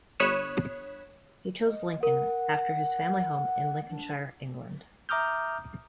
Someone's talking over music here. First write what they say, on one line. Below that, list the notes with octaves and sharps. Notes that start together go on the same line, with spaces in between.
He chose Lincoln, after his family home in Lincolnshire, England.
G1 C#5 B5 D#6 F#6 E7
D#5
A#4 F#5
D4
E5 A#5 D6 D#6 F6 G6